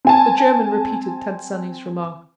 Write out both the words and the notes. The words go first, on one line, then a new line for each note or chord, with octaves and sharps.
The German repeated Tant Sannie's remark.
C4 G#5 A5